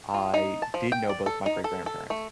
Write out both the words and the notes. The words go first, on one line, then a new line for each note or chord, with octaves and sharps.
I did know both my great-grandparents,
F4
D#4
A5
F3
G5
D5
A4
D#4
A4
A4
A3